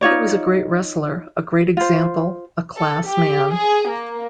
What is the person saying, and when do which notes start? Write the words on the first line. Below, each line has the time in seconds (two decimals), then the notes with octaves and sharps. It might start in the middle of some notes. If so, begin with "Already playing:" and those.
He was a great wrestler, a great example, a class man.
0.01 D#4 F4 C#5 D5
1.77 F4 C5
2.77 A4
3.07 G4
3.52 G#4
3.88 A#3